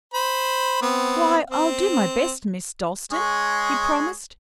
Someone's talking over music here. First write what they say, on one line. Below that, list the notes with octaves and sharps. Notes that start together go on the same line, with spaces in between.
"Why, I'll do my best, Miss Dalstan," he promised.
C5 B5
B3 C4
C4
G#3 G#4 C#5